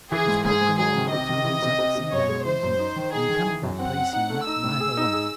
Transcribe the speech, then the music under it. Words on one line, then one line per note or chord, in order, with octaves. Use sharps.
He was poking along through his ups and downs, and when he come to that place he went right along.
E3 G#4
G#2
G#2 G#4
G#2
F#3 G#4
D#3
C3 D#5
D#3
E3
C3
C3
C3
F#2 C#5
G#3
E3 C5
F#2
D#4
D#3
D#4 G#4
D#3
E3
F#2
C4 F#5
C4
D#4
A3
D#4 E6
A2
G#4
D#4
G#4